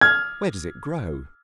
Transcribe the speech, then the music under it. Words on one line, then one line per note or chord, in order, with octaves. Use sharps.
Where does it grow?
F6 G#6